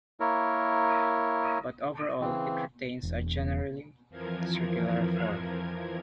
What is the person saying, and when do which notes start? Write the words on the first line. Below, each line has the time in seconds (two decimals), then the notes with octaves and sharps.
But overall it retains a generally circular form.
0.20 A#3 E4 A#4 C#5
2.21 C#3 E3 C4
3.03 E1
4.10 F2 E3 F3 A#4 G#6